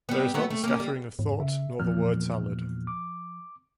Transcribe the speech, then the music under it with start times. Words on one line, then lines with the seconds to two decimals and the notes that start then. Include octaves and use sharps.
There is not the scattering of thought, nor the word salad.
0.09 G3 B3
0.34 F#3 A3 B3
0.50 A3
0.64 A#3 C#4
0.80 G3
1.19 E2 G#2
1.40 C#3 E5
1.80 E2 A#2 F3 F6
2.87 D6